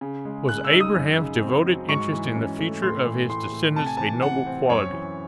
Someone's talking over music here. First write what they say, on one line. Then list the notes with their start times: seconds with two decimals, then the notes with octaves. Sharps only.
Was Abraham's devoted interest in the future of his descendants a noble quality?
0.01 C#3
0.25 G#3
0.48 C#3 F#6
0.65 E6
0.72 D#4
0.80 D#6
0.95 F#2
1.18 C#3
1.42 C4
1.65 F#3
1.89 G#2 C#6
2.12 E3
2.35 C#4
2.59 A3
2.82 A2 C6
3.05 E3
3.29 A2 C6
3.53 A3
3.76 C3 A5
3.86 G#5
3.97 E3 A5
4.22 C3 F#5
4.46 C4
4.70 F#2 C#5
4.92 E3